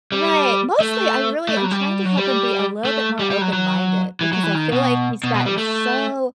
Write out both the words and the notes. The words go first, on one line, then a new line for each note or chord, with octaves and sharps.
Right, mostly, I really am trying to help him be a little bit more open minded because I feel like he's gotten so
G3
A3
A3
G3
F#3
G3
F#3
G3
A3
G3
G3
F#3
F#3
E3
F#3
E3
D#3
B2
B2
B2
G3
A3